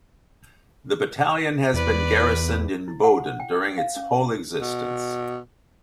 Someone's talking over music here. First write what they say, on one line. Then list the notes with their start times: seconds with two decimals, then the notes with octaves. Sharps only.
The battalion has been garrisoned in Boden during its whole existence.
1.74 E2 B4 D5
2.88 E4
3.04 F#5
3.40 G5
3.78 F5
3.96 C#4
4.61 B2